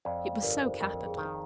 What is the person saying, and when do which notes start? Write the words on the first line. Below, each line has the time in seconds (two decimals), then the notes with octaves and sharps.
It was so capital!
0.05 F2 D5 F5
0.43 G1 A#4 D5
0.62 C5
0.81 F2 A#4
1.06 G#4
1.18 D#3